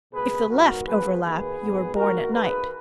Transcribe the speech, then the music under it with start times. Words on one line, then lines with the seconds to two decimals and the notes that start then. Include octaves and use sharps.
If the left overlap, you were born at night.
0.13 C#2 B2 A#3 G#4 B4
0.49 G#2 F#3 B3 F#4 A#4
0.86 F2 F3 G#3 B3 G#4 B4
1.23 D#2 D#3 F#3 A#3 G#4 B4
1.59 A#1 G#2 D#3 F#3 B3
1.96 G#1 G#2 D#3 A#3 F#4 A#4
2.32 D#2 D#3 A#3 G#4 B4